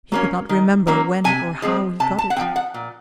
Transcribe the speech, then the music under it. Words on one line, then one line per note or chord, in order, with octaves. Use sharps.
He could not remember when or how he got it.
F#3 A#3 C#4
D#3
F#3 A#3 C#4
C3 G#5
F3 G#3 C4
C3 A5
A5
F#5
F3 G#3 C4 G5
F#5
A#2